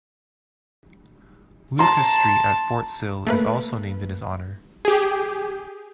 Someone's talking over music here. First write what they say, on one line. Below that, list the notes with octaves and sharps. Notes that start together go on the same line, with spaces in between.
Lucas Street at Fort Sill is also named in his honor.
A5 A#5 C6
A3 A#3 B4
G4 G#4